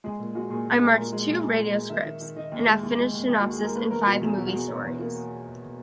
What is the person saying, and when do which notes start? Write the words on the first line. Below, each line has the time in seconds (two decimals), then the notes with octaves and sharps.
I marked two radio scripts and have finished synopses and five movie stories.
0.04 G#3 G#4
0.19 A#2
0.35 G#3 F#4
0.50 A#2 G#4
0.66 A#2
0.82 G#3
0.97 A#2 A#4
1.12 G#3
1.28 A#2
1.43 G#3
1.58 G#3
1.75 G#3
1.90 D#3 E5
2.05 D#3
2.21 D#3
2.36 D#3 D#5
2.51 D#2
2.67 G#3
2.83 D#2
2.98 G#3
3.13 D#2
3.29 D#2
3.40 D#2 F#4
3.53 G#4
3.60 G#3 A#4
3.75 A#3 B4
3.91 E2 A#4
4.06 B2 F#4
4.21 E2 G#4
4.37 B2 F#4
4.47 F#4
4.53 E2 G#4
4.68 B2 C#5
4.84 E2
4.99 A#3